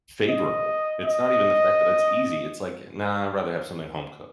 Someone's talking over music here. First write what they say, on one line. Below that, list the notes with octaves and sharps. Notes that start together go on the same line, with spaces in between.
favorable. It's not even the fact that it's easy. It's like, "Nah, I'd rather have something home cooked."
D#5
D#5